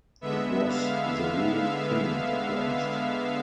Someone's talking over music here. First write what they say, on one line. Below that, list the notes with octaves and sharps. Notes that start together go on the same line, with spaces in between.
It was the real thing at last.
D3 G#3 B3 E5
F5
E5
E5